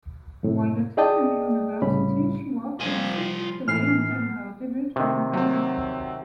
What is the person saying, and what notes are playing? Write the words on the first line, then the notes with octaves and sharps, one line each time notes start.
While attending university, she worked as a secretary until her debut on "Baretta".
F#2 A2 C3
G#4 D5 D#5 G5 A5 D#6
C2 A2 C#3 G3 C#4 B5
F3 G3 F4 G#5
A2 E3 D#4 G#5 F6 C7
B3
C3 D#3
F#3 C4